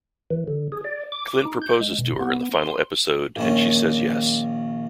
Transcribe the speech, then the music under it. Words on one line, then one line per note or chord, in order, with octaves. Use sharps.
Clint proposes to her in the final episode and she says "yes".
E3
D3
G#4
D5
D6
D#4
G6
G#3
B2
B3
C6
A#1 D#3 C#4